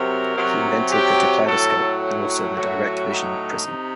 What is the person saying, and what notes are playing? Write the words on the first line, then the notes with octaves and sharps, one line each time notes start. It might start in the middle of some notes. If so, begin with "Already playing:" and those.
He invented the dipleidoscope and also the direct vision prism.
Already playing: C3 F#3 A#4
C3 F#3
G4
A2 F#3 A4
A2 F#3 F#4
D#4
C3